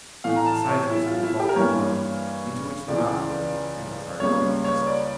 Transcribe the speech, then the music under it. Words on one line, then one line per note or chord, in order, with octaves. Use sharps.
Besides this were the bulky lungs, into which the mouth opened, and the heart and its vessels.
A2 E3 A3 F5
A#5
A5
C#5
E4
F4
E4
G4
A#4
G2 E3 G3 A#3 C#5
C#2 C#3 E3 D5
C#2 C#3 G3 A#3 C#5
C#5
D5